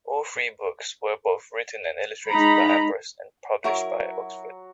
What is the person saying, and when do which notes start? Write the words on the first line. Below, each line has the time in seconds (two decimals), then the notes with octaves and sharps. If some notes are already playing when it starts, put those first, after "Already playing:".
All three books were both written and illustrated by Ambrus and published by Oxford.
2.28 G#3 D#4 A#5 B5
3.64 F#3 E4 A#4 C#6